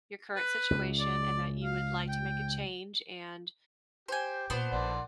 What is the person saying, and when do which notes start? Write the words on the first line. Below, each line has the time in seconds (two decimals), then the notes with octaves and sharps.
your current situation, and that you would like to make a change, and,
0.36 B4
0.71 C#2
0.99 D5
1.64 F5
2.08 G5
4.08 G4 C5 G#5
4.50 A#2 B3 D4 C5
4.72 A#1 D5 F#5 C6